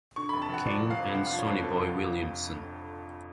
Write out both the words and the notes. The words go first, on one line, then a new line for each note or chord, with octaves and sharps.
King, and Sonny Boy Williamson.
D3 C#6
B5
F1
A5
F1 F#5
F3 D5
F1
F5
F2
F1 F#5
F5
F3
C#5
F2
F3 A4
F1